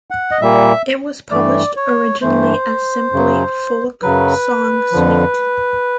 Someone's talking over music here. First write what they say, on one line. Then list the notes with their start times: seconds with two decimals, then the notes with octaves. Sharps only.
It was published originally as simply Folk Song Suite.
0.11 F#5
0.31 D#5
0.41 A#2 G3 A#3 E5
1.31 G2 E3 A3 D5
1.76 C#5
2.21 G2 E3 A3 C5
3.12 F#2 C#3 F#3
4.02 F#2 C#3 F#3 B4
4.92 F2 D3 F3